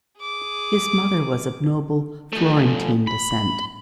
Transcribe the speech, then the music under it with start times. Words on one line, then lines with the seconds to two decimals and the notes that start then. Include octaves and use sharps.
His mother was of noble Florentine descent.
0.19 G#4 D6
2.33 F3 A3
3.07 B5